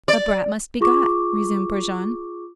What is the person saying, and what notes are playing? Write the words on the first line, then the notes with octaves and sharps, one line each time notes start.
"A brat must be got," resumed Brujon.
D5
F4 G#4 C#6 D6